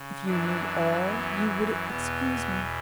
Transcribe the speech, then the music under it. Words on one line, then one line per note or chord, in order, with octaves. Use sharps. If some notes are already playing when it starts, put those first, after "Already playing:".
If you knew all, you would excuse me.
Already playing: C#3
F#2 E3 D4
B3
E2 B2 B3